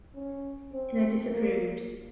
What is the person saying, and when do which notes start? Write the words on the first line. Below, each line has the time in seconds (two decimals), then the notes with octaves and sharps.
And I disapproved.
0.16 C#4
0.72 C4
1.28 A#3